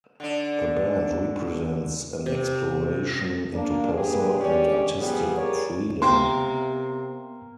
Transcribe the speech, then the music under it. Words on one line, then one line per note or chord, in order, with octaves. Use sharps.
The band represents an exploration into personal and artistic freedom.
D3 D4
C3
A#3 D4
A#3 D4 G4 G#4 B4
D2 G#3 C#4 G4 D5
A2 F3 G3 B3 G4 G#4
G4 G#4 A#4 C#5 D5
C3 A#3 B3 G5 C6